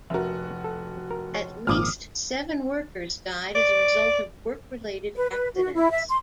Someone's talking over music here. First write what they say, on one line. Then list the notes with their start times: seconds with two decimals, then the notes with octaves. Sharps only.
At least seven workers died as a result of work-related accidents.
0.10 F1 F#4 A#4 E5
0.64 A4
1.11 A#4
1.34 C#5
1.67 G#1 A#2 F3 D6 D#6 F6
3.55 D5
5.15 B4
5.30 B4
5.55 F#4
5.74 E4
5.91 E5
6.08 C6